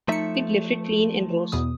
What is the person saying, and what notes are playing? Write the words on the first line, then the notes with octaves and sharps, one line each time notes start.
It lifted clean and rose.
F3 A3 D#4 E5 C#7
E2 B2 D#6